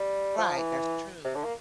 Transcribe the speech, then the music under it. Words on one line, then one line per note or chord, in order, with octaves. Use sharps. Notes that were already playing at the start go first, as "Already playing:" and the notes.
Right, that's true.
Already playing: G3
F3
E3
C3
D3
A#3